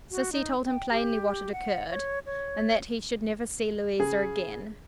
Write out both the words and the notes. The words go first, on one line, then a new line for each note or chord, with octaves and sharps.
Sissy told him plainly what had occurred, and that he should never see Louisa again.
F#4
D#4
G5
G4
F#5
C#5
C#5
C#3 G#4